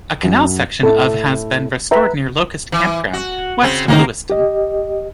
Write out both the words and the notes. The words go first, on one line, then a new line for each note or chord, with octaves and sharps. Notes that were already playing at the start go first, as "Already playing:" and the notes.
A canal section of has been restored near Locust Campground, west of Lewistown.
F#2
A2 A3 A4
B4 E5 G5 A#5
E3
F#4
C#3 C4
D2 A2 D#3 A#3 A#4
G4 D#5